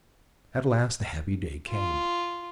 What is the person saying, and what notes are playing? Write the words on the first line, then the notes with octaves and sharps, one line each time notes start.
At last the happy day came.
F4